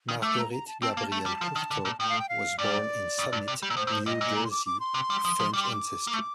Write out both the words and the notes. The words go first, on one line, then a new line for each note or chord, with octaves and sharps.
Marguerite Gabrielle Courtot was born in Summit, New Jersey of French ancestry.
D#3
A3 D6
A#5
A#5
A5
C4 A5
A#3
A3
G3
F3
D#3
D3
A#2
A2 G5
F5
G5
F5
G2 D5
F2
G2
C3
G3
A#2
A2 C5
A#2
A2
G2 D#5
A#2
A#5
C6
D6
D6
C6
C3
G3
F3
F3
G3 D6
C6
D6
A#3
A3